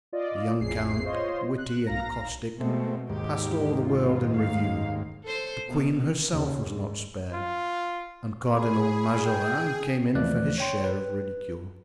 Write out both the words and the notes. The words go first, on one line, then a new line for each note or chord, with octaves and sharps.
The young count, witty and caustic, passed all the world in review; the queen herself was not spared, and Cardinal Mazarin came in for his share of ridicule.
F4 D5 D#5
A1 F2 G#4 C7
F4 C5 C#5 D#5 C6
F#6
B1 F5 A#5 A#6
B2 G#3 A3 C4
D#2 G#2 G4
F4
A3 F5
A4 C5
B2
D#2 C#3
G#2
F4
G#4 B5
G5
D#2 E3 F3 A3 D5 F#6
C#5 G5 C6
B4